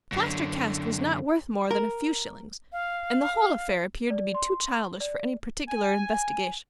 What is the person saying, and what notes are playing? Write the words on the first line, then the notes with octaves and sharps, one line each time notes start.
The plaster cast was not worth more than a few shillings, and the whole affair appeared to be too childish for any particular investigation.
F#2 D3
A#4
F5
D5
C6
D5
G#5